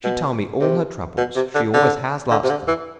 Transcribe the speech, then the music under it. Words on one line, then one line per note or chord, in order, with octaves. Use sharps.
She told me all her troubles--she always has lots of them.
B2
C3
B2
C3
D3
D3
D3
C3
D3
E3